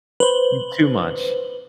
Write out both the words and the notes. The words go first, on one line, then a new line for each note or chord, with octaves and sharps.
N too much.
B4 C5